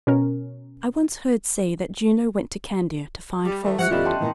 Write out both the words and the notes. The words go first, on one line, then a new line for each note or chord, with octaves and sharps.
I once heard say that Juno went to Candia to find Falsehood.
B2 C#4 A#4
G3
D#3 E3 A3
F3 F4 G4 E5 F#5 F#6
E2 D3 G3 C#4 F4 D#5 E5
G5 A5 C6
A#2 D#3 E3